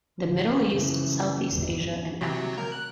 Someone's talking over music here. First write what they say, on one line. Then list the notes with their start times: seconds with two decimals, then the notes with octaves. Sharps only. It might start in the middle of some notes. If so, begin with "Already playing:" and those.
The Middle East, Southeast Asia and Africa.
0.22 A1 D3
0.71 F#2 C#3 E3 F3 A3 C#4
1.49 G1 E2 A#2 E3 F#3
2.21 C3 F#3
2.58 A#4
2.72 F#6